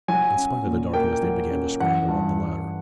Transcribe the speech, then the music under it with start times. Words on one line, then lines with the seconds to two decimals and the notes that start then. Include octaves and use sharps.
In spite of the darkness they began to scramble up the ladder.
0.08 F#3 G#5
0.37 C#4
0.65 A#2
0.94 A#3 G5
1.22 F#3
1.51 C#4
1.80 E3 F#5
2.08 G2
2.38 G2